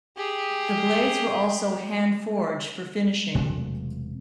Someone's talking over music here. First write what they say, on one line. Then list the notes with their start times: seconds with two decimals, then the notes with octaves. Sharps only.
The blades were also hand forged for finishing.
0.17 G4 G#4
3.35 E1 C3 F#3 A3